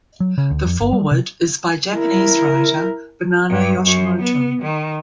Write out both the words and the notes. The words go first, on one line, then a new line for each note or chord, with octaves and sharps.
The foreword is by Japanese writer Banana Yoshimoto.
F#3
C#3
D2
F2
G1
G3
C3
E4 A#4
G2
F#2
B3
D#3